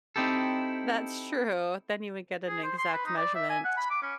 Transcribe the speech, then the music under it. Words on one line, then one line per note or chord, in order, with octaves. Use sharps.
That's true, then you would get an exact measurement.
C4 D#4 E4 G4 A4
G#4
C5
C6
B4
D#4
D5
E5
G#5
F#5
B5
D6
C#4